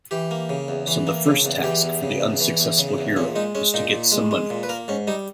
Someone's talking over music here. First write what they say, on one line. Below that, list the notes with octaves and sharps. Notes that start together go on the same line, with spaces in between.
So the first task for the unsuccessful hero is to get some money.
E3 G4
A#3
C#3
E2
E3
A#3
C#3
E2
E3 G4
E2
C#3
E2
E3
E2
C#3
E2
A#2 C#4
G#3 D#4
G#3 C#4
A#2 D#4
A#2
G#3
G#3
A#2
B4
A#3 A#4
G#2 C#4
G3 D#4